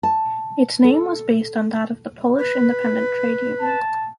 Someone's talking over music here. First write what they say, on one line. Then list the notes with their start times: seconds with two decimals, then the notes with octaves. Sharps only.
Its name was based on that of the Polish independent trade union.
0.03 A5
0.84 A4
2.39 B4
3.59 A5